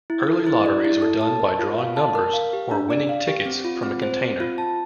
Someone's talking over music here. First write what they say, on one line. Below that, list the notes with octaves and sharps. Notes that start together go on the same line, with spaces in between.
Early lotteries were done by drawing numbers, or winning tickets, from a container.
E4
A4
E4
D5
E4
A4
A5
A#4
F4
F5
A5
A#4
F5
G4
D4
D5
F5
G4
C4
F4
C4
C5
C4
F4
A5